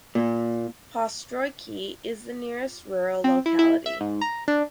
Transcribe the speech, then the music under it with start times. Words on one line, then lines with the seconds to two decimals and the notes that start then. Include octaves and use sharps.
Postroyki is the nearest rural locality.
0.15 A#2
3.24 C4
3.46 E4
3.59 E4
3.86 E5
4.01 G#2
4.21 A#5
4.48 D4